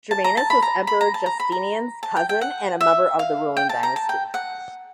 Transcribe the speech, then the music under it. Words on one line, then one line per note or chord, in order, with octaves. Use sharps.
Germanus was Emperor Justinian's cousin, and a member of the ruling dynasty.
A5
A#5
A5
B5
A#5
B5
A#5
A5
A#5
B5
A#5
A5
G5
G5
F#5
E5
F5
G5
A5
A#5
A5
G5
F#5